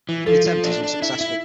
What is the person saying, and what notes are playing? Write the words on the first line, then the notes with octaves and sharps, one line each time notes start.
The attempt is unsuccessful.
E3
F3 A4
F3
D4
D4
E4
E4